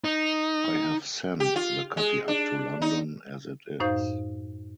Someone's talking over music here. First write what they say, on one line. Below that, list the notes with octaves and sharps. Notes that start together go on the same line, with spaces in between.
I have sent the copy up to London as it is.
D#4
G4
F4
G#3
D4
D#4
F#2 A2 D#4 C5 F5 G6